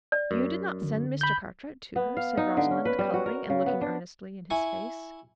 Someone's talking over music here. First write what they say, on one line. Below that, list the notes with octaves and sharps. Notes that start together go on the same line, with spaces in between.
"You did not send Mr. Cartwright to her?" said Rosalind colouring, and looking earnestly in his face.
D5
F#2
D3
B5 G6
B3
F5
D#4
D3
C#4
B4
G3
F#4
A#4
C#3
B3
D4
E4 G#5 C#6